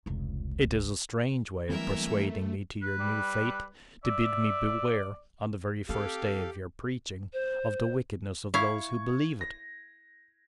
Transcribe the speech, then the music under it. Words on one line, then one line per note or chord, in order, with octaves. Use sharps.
'It is a strange way of persuading me to your new faith, to bid me beware, on the very first day of your preaching, of the wickedness of those who believe it.
F1 C#2
E3 F#3 G3 A3 A#3 C4 A#4 E5
B4
G3
D5 E5
C4 G4 A4 F5
C5
E4 F5 C#6 G#6
A#6